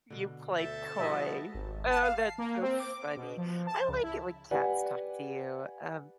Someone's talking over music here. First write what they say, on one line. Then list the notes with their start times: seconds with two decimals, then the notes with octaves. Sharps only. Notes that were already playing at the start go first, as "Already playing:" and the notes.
You played coy. Oh, that's so funny. I like it when cats talk to you, um
0.10 B2 D3
0.56 D2 A4 E5 A5 G6
0.99 B2 F3 G3 B3 D4 E4 D#5 E5
1.54 G#1
1.90 A5
2.02 F5
2.15 C7
2.38 A#3
2.62 C4
2.80 D6
3.17 B2
3.38 F3
3.67 A5
3.88 C#2
4.03 E4
4.51 G4 B4 D5 F#5 G#5